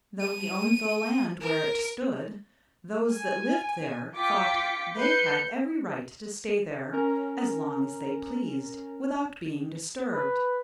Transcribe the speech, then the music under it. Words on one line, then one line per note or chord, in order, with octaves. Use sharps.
Though he owned the land where it stood, those that lived there thought they had every right to stay there as long as they pleased, without being disturbed.
D#7
A#4
G#5
F4 G5 D6 B6 C#7
B4 G6 C7 C#7
C#4 A#4 A#5
B4